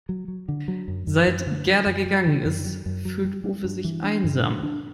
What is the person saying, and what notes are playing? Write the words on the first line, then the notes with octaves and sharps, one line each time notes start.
Seit Gerda gegangen ist, fühlt Uwe sich einsam.
F#3
F#3
D3
F#3
F#2
F#2
F#2
D3
F#3
F#2
F#3
D3
F#2
F#3
F#2
F#3
G3
G3
G2
E3
D4
G2
D4
D4